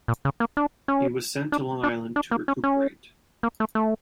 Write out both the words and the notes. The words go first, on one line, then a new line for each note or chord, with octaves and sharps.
He was sent to Long Island to recuperate.
A#2
C#3
A#3
D4
C#4
D4
D4
D4
A#3
C#4
C#4
A#3
A3
A3